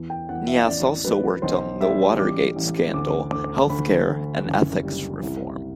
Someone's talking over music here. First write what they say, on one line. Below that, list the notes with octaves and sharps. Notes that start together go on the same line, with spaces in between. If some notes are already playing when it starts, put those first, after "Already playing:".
Neas also worked on the Watergate scandal, health care, and ethics reform.
Already playing: E2
G5
E2 F#5
E5
A1 D5
F#3 B4
B1 C5
G3 E5
A1 D6
A1
D2 D6
D2 D6
D2 B5
D2
F#1
G3
C2